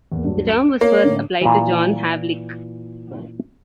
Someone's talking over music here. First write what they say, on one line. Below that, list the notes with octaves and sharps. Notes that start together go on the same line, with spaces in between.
The term was first applied to John Havlicek.
E2 A#3
D2 G2 F#3
C#7 D7 E7
A#3 C#5
A2 D3 C#4
A#2 E3